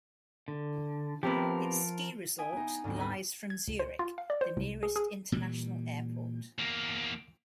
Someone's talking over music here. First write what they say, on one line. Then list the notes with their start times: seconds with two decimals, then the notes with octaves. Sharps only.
Its ski resort lies from Zurich, the nearest international airport.
0.48 D3
1.23 F3 B3 C4 G4 A#4
2.38 E5 G5 G#5 D#6
2.52 B3 D#4
2.84 D2 G#2 B3 C4
2.96 D#4 B4
3.50 G#6
3.68 C#2
3.79 C5
3.99 F4
4.18 F5
4.30 D5
4.41 C5
4.57 C2
4.83 G#4
4.96 G#4
5.32 A#2 E3 G3
6.58 E2 A#3